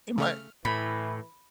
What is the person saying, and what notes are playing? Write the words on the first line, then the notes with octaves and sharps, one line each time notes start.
It might
C#3 A3 F6
A2 E3 B5